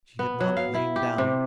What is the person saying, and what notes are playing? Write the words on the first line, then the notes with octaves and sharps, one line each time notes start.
She had not lain down.
B3
F#3
F5
E4
G4
C3